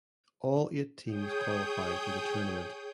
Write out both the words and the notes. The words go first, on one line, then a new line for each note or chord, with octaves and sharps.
All eight teams qualified for the tournament.
G#4 C#5 G5 D#6 G6